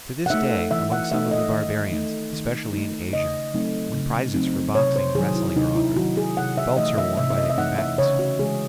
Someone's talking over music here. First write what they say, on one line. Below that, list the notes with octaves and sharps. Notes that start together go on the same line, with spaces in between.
To this day among some of the barbarians, especially in Asia, when prizes for boxing and wrestling are offered, belts are worn by the combatants.
F#5
A3 D#4 E5
E3 E5
F#5
A3 D#4 E5
D#5
D#3
A3 D#4
D#3
A3 D#4
C#3 D#5
F#3 A3 C4 D#4
C#3
F#3 A3 C4 D#4
C3 C#5
C5
D#3 F#3 G#4
E4
C3 D#4
E4
D#3 F#3 F#4
G#4
C3 F#5
E5
E3 A3 D#4 D#5
E5
C3 E5
E5
D#5
E5
E3 A3 D#4 F#5
E5
C#3 C#5
F#4
E3 G#3 G#4